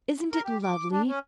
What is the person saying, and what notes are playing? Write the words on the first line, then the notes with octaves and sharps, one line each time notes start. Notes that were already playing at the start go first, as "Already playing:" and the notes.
Isn't it lovely?
A#4
G4
D6
D4
C#4